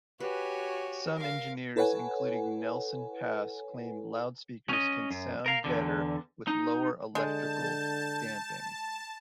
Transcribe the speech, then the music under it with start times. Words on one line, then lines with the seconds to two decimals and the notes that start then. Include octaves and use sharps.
Some engineers, including Nelson Pass claim loudspeakers can sound "better" with lower electrical damping.
0.20 F#4 G4 B4 C#5 G#5
1.15 A#4 F5
1.76 E4 A4 B4 C#5 F#5 G#5
4.69 C#4 D#5
5.11 F#2
5.46 A#4 F5
5.64 E2 D3
6.47 D#4
7.15 D3 G#3 A5 G6